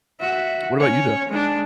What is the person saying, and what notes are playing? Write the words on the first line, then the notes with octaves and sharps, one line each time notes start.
What about you, though?
F#4 E5
C#4 C#5
G#3 D4